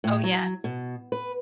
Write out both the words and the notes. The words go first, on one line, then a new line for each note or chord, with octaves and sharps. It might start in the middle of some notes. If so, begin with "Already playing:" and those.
Oh, yes.
A2
F#3
B2
B4